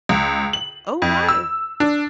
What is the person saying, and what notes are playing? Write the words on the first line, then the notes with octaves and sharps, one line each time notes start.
Oh, why?
C#2
F#7
F2
E6
D4